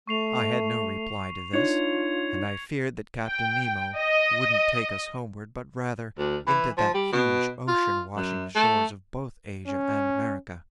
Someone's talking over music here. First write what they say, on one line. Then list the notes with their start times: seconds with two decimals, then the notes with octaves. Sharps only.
I had no reply to this, and I feared that Captain Nemo wouldn't take us homeward but rather into that huge ocean washing the shores of both Asia and America.
0.07 A3 C#6 C7 F7
1.53 D4 D#4 F4 C#5 G#6 C#7 F7
3.26 G5
3.98 D#5
6.18 D2
6.47 E3
6.77 F3
6.94 G3
7.13 B2
7.68 F4
8.16 F#2
8.55 A3
9.66 C#4